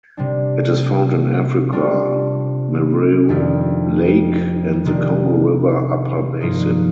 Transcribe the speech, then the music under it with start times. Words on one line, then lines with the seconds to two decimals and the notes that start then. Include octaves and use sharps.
It is found in Africa: Mweru Lake and the Congo River upper basin.
0.17 C3 G3 D4
1.73 C3 G3 D4 F4
3.29 F2 D#3 A3 D4 G4
4.85 C3 D#3 A#3 D4 G4
6.41 G2 F3 A#3 D#4